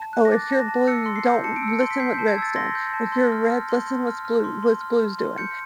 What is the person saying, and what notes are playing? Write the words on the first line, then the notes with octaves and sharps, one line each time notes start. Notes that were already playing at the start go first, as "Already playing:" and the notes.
"Oh, if you're blue, don't listen what reds done. If you're red, listen what's blue what's blue's doing,"
Already playing: A5
F#6
A#6
D6 A6
A5
A#6
A5
E6 C#7
C6
C7
G6
A5 C#7
D7
E6
C#7
C6
B6
G6 C7
G6
A5
G#6
E6 A6
C6 A#6
G6
A5
C6
F6
F6
C6
C6
F6
F6
C6
C6
F6
F6
C6
G6 C#7